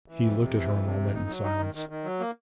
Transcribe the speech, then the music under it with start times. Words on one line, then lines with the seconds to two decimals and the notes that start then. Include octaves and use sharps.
He looked at her a moment in silence.
0.08 E3
0.23 F2
0.39 C3
0.53 E3
0.68 F2
0.83 C3
0.99 F2
1.14 D#4
1.29 F#3
1.44 D#4
1.59 D#3
1.74 D#3
1.89 D#3
2.04 F#3
2.20 A#3